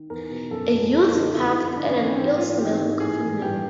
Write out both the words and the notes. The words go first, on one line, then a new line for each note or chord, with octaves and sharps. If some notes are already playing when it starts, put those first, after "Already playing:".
A youth puffed at an ill-smelling coffin nail.
Already playing: D#3
E2 A#4
B2
F#2 A4
F#2
F2 A4
D3 D#4
F2 E4
D3
G#2 D4
C#4
E3
C4
G#2 C4
E3 F4
G#2 G4
D#3
A2 G#4
E3
G2 G4